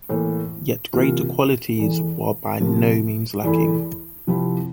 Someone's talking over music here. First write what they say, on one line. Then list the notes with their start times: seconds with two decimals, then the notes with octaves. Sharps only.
Yet greater qualities were by no means lacking.
0.09 A2 E3 A#3
0.93 C3 E3 A#3 F4
1.76 E2 E3 A3
2.60 C3 F3 A#3
3.44 E2 E3 A3 E4
4.27 C3 F3 C4 E4